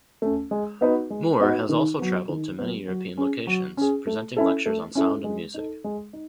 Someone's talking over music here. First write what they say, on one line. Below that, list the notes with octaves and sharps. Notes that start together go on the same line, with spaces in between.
Moore has also travelled to many European locations, presenting lectures on sound and music.
A3 C#4
G#3
B3 D#4 F#4 B4
G#3
B3 D#4 F#4 B4
D#3
F#3 B3
D#3
F#3 B3
F#3
C#4 G#4
F#3
C#4 G#4
A3
C#4 E4 A4
A3
C#4 E4 A4
G#3
D#4 A4
G#3
D#4